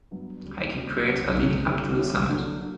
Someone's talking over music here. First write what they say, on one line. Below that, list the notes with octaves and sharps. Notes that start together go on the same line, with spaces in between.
Hiking trails are leading up to the summit.
G2 F#3 B3
D2 C#3 G3
D2 C#3 G3
C#3 F#3 C#4 F#4
C#3 F#3 C#4 F#4
D3 G3 C#4 E4 G4
D3 G3 C#4 E4 G4
D3 F#3 A#3 D4 F#4
D3 F#3 A#3 D4 F#4